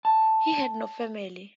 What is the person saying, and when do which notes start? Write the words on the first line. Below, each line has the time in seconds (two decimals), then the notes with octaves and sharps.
He had no family.
0.05 A5